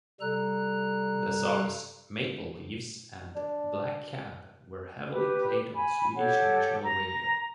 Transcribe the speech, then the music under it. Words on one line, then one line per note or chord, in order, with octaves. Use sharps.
The songs "Maple Leaves" and "Black Cab" were heavily played on Swedish national radio.
C3 G3 A4 A#5 F#6
D4
G4 B4
G#5 B5
G4 A4 C#5 F#5
A#5